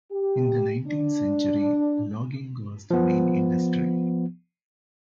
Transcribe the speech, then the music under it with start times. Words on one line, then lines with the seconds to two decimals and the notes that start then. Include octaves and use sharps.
In the nineteenth-century logging was the main industry.
0.11 G4
0.87 D4
2.91 F3 B3